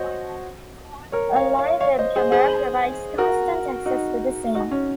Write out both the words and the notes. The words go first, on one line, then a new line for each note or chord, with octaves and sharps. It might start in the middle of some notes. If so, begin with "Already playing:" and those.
A live web camera provides constant access to the scene.
Already playing: F#4 C5 C#5 D#5
A#4 C#5
C#5 F5
C#5 F5
C#5 F5
C5 D#5
G#4 C5
G#4 C5
F#4 A#4
D#4 F#4
D#4 F#4
C#4